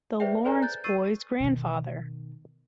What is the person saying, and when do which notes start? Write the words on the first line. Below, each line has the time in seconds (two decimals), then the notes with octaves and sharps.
The Laurence boy's grandfather!
0.20 G#4 B4 C5 D5 E5 G5
0.45 A4 B4 C5 D5 G#5 A#5
0.62 F#6 G6 A6
0.84 C#6 E6 A6 C7 D#7
1.40 B2 D#3